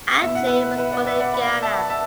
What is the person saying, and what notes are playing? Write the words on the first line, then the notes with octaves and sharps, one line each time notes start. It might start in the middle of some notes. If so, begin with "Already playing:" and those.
Adjei was born in Ghana.
B2 B3 E4 E5
F#5
B4 E5
B4 E5
D5 F#5
B4 E5
D5 F#5
F#5 B5
E5 A5
E5 A5